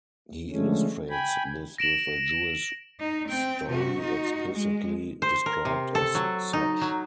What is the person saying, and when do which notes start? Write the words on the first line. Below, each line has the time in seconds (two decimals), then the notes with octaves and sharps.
He illustrates this with a Jewish story, explicitly described as such.
0.51 D3 F3 G#3 A3 C#4
1.10 G5 G#5 B5
1.78 A#6 D7 E7 F#7
3.00 D#4
3.29 C4 G5
3.70 C3 F#4
4.00 D#4 F#4
4.52 G#3
5.22 C5
5.46 A#4
5.65 C3
5.95 A4
6.15 F#3
6.53 D#4
6.81 F#3